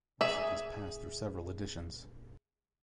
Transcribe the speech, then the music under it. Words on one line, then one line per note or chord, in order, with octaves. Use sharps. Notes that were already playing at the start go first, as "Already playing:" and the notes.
Most of these passed through several editions.
G#4 E5